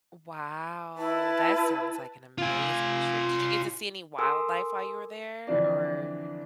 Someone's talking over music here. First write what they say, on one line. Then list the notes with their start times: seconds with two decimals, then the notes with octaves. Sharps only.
Wow. That sounds like an amazing trip. Did you get to see any wildlife while you were there or
0.98 E4 B4 A5
2.38 F4 G#5
4.19 A4 A#4 G#5 C6 D6 E6
5.47 F2 D3 E3 D4 D5